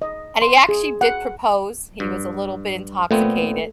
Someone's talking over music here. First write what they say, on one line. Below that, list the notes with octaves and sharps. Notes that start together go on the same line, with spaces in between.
and he actually did propose, he was a little bit intoxicated,
D#5
C6
G#4
F#5
G2
A#2 A3 B3 C4